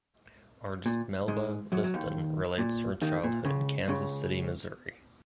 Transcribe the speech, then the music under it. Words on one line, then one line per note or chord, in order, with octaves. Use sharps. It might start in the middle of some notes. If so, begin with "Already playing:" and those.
Artist Melba Liston relates her childhood in Kansas City, Missouri.
A#2
G#2 G#3
F#2 F#3
F#3
D#2 D#3
A#2
D#2 D#3
A#2
C#2 C#3
C#2 C#3